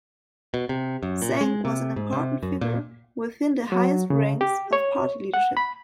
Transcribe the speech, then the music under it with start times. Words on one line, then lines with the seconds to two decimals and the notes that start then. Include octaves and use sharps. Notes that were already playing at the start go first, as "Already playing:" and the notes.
Zeng was an important figure within the highest ranks of party leadership.
0.54 B2
0.69 C3
1.03 F#2
1.22 A#2
1.41 G#3
1.65 C3
1.96 G#2
2.13 C3
2.43 F#2
2.61 A#2
3.72 F#3
4.10 C#3
4.41 G4
4.73 C#5
5.34 F#5
5.57 B5